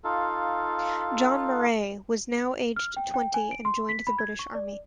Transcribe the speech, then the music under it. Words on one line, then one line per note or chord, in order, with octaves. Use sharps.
John Murray was now aged twenty and joined the British Army.
D#4 F4 A4 F5
F6
G5
G5
G#5
D7
C6
B6
B5
G#6
C#6
D5